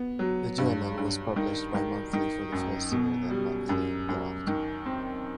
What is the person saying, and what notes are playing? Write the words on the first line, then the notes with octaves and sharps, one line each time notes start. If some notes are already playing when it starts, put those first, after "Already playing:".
The journal was published bimonthly for the first year, then monthly thereafter.
Already playing: B3
F#3
G2
G2
D#3
D#3
D#3
F#2
B2
G3
F#2
F#2
D#3
C4